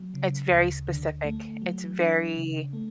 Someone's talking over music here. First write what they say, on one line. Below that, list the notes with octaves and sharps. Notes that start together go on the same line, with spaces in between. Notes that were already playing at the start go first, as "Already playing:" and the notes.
it's very specific, it's very
Already playing: F#3
C#3
D2
D3
A3
F#3
D4
C#3
A3